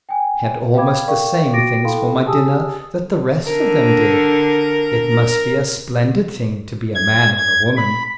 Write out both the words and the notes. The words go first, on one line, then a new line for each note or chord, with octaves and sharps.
I had almost the same things for my dinner that the rest of them did: it must be a splendid thing to be a man or a woman!
G5 G#5
F5 G5 B5 D6 G#6
A#4 D5 F5 G5 C#6
F#4 G5 D6 A6 A#6 D7
E4 A4 F5 G5 B5 C6
G4 G#4 G#5 A5 D#6 E6
D3 A#4
G#6
G#6
B5